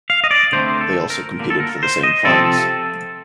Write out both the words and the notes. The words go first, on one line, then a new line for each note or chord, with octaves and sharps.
They also competed for the same funds.
F5
D#5
D5
D3 A3 C4 C5
A4
A#4
D3 G3 A#3
A4
A#4
C5
D#5
C3 F3 C4 A4